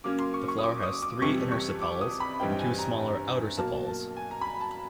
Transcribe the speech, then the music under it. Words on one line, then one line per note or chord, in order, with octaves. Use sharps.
The flower has three inner sepals and two smaller outer sepals.
C#3 F#3 A#3 C#4 D6
C6
C#6
C#6
D#6
D6
D#6
D6
F2 C3 E3 G3 C#6
C#6
D6
D#6
B5
G2 E3 G3 C4 D#4 G5
G5
G#5
A#5
B2 F#3 A#3 A5
A5
G#5
A#5
B5
A#5
A5